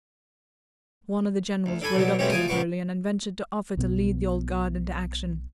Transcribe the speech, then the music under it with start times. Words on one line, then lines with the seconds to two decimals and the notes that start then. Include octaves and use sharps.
One of the generals rode up to Napoleon and ventured to offer to lead the Old Guard into action.
1.66 D2
1.82 D4 A4 G#5 B5
1.95 B2 D3 F#3 D4
2.19 B2 G#3 A3 C4 C#4 G4
2.30 D2 F3 G#5 A5 D6 D#6
2.48 C#2 A#2 B3 C#6 D6
3.77 B1 B2 B3